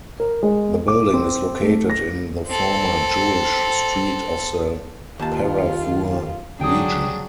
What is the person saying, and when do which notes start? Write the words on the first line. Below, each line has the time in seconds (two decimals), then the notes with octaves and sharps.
The building is located in the former Jewish Street of the Paravur region.
0.20 A#4
0.43 G#3
0.88 D6
1.14 C4
1.62 A3
1.90 A#6
2.46 C4 A4
5.19 D#2 F4 A5
6.61 D3 F#3 D4 G#4 G5 D#6